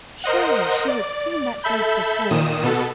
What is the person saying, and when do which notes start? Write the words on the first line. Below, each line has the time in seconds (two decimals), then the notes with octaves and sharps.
Surely she had seen that face before!
0.24 A#4 C5 D#5 F#5
0.88 D5
1.63 A4 E5 B5 G6
2.30 A#2 D#3 D#6 E7
2.63 B2 B3 A4